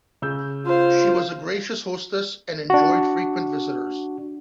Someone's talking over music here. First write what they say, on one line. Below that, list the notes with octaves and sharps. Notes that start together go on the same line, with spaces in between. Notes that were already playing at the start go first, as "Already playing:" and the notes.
She was a gracious hostess and enjoyed frequent visitors.
C#3 E6 G6
F4 C5 F5
D4 F#4